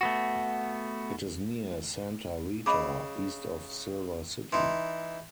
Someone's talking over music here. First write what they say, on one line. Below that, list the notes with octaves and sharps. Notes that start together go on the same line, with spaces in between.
It is near Santa Rita, east of Silver City.
A3 B3 F#4
C#3 D#5 B5 D6
E3 D#4 C6